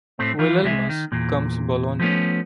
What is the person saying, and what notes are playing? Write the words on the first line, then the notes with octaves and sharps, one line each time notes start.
Willelmus comes Bolonie.
A2 A3 C4
E3 F3 F4
C2 C3 G#3 E5
D#3
E2 A#2
F3 A3 B3 C#4